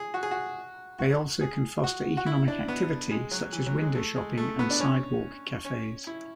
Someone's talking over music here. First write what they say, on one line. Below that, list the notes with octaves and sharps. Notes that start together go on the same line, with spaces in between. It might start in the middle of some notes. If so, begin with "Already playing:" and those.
They also can foster economic activity, such as window shopping and sidewalk cafes.
Already playing: G#4
F#4
G#4
F#4
F#4
G#4
F#4
F#4
E4
D4
B3
G#3
F#3
E3
F#3
G#3
A3
G#3
A3
B3
D4
C#4
C#4
E4